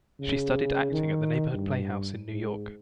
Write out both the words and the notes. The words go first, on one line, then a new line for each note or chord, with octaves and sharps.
She studied acting at the Neighborhood Playhouse in New York.
C#3
D#3
G2
G#2